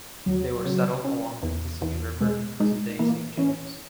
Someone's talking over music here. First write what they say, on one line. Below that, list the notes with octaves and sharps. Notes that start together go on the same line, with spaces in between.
They were settled along the Mississippi River in present-day Saint James.
D#2 F#3
C#3
C#4
E2
E2
B2 G#3
G#3 D#4
E3 A#3
E3 C#4